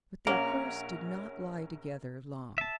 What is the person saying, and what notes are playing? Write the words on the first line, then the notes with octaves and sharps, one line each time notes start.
But their course did not lie together long.
A#1 A#3 C#4 A#4 F#5
E5 A5